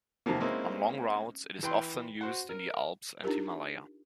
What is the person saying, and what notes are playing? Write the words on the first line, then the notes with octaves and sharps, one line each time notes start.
On long routes it is often used in the Alps and Himalaya.
E2 C3 D#3 F3 A#3
G#3 A#3 C4 C#4 D#4 E4
E3 G5 C6
F#4 C5 F#5
A#4
D4 D#4 F4 G4 A#4